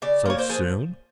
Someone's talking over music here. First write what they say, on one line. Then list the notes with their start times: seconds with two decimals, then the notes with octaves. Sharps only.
"So soon?"
0.02 C#3 D5
0.26 A#3 C#5
0.38 C5
0.49 F3 G#4